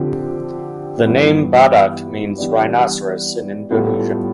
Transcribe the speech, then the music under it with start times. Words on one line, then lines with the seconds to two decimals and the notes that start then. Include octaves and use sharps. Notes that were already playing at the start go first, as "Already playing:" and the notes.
The name "Badak" means rhinoceros in Indonesian.
Already playing: D3 F3 C4 G4
1.06 G2 E3 B3
2.38 E3 G3 B3 D4
3.70 A2 G3 B3 F4 A4